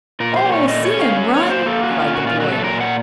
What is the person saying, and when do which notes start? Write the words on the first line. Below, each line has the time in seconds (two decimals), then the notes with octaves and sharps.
"Oh, see him run!" cried the boy.
0.20 A#2 A#4
0.36 C5
0.44 A#2
0.52 C#5
0.68 A3 D#5
0.85 C#5
0.94 C#4
1.01 F5
1.18 F#3
1.34 C#5
1.41 A#3
1.50 C5
1.66 A#3 A4
1.83 F#4
1.91 C#4
1.99 F4
2.15 A#2 F#4
2.27 F4
2.39 F#3 F#4
2.52 A4
2.64 A#2 A#4
2.81 F#5